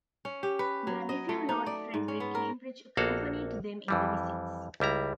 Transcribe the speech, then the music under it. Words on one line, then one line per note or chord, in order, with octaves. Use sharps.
Their nephew Lord Frederick Cambridge accompanied them in the visits.
C#4
G4
B4
F#3
D#5
A3
D#4
D5
G#2
C#4
B3
A#4
A#1 A#3 F#4 A4 F5
F2 E3 G3
C#2 G3 E4 A#5